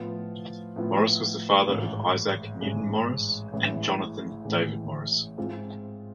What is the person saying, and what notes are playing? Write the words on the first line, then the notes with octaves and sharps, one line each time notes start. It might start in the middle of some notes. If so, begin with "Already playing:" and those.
Morris was the father of Isaac Newton Morris and Jonathan David Morris.
Already playing: A2 F3 B3 F4
A2 F3 B3 F4
A1 G#2 G#3
A1 G#2 G#3
A1 A2 E3 G#3
A1 A2 E3 G#3
G#2 G#3 C4 F4